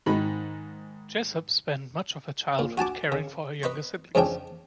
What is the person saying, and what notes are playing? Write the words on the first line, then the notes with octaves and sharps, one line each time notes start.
Jessop spent much of her childhood caring for her younger siblings.
G#2 D#3 B5
A#2
F#4 G#5 A5 D6
C#3
B4 D#5 B5 C#6
F2 G#2 C#3 C#4 D4 G5